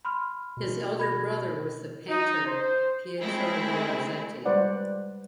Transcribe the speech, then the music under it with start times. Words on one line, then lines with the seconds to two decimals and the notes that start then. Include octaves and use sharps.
His elder brother was the painter Pietro Lorenzetti.
0.05 B5 C6 F6
0.57 B2
0.99 B5 G#6 A#6
2.09 D#4
2.46 C5
3.20 G#3 A3 C4 E4 G#4
4.45 G3 G#3 B4 C5 D5 F#5